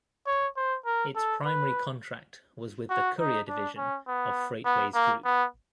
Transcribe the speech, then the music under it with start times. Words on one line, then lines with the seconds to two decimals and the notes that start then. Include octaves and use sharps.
Its primary contract was with the courier division of Freightways Group.
0.27 C#5
0.56 C5
0.86 A#4
1.16 A4
1.45 B4
2.90 F#4
3.19 D#4
3.48 D4
3.77 C#4
4.07 B3
4.65 B3
4.95 A#3
5.25 B3